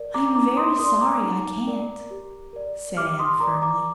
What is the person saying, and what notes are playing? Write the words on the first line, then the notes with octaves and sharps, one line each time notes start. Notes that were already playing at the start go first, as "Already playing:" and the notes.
"I am very sorry I can't," said Anne firmly.
Already playing: A#4 D5
A#5 D6
D#4 A#5 D6
C6 D#6
A#4 D5 C6 D#6
A#5 D6
D#4
A#4 D5
G4
A#4 D5
G4 D6 F6
C6 D#6
A#4 D5 A#5 D6
A#5 D6